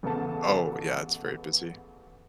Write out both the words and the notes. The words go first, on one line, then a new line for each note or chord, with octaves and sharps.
Oh, yeah, it's very busy.
A1 C#3 B3 A4 A5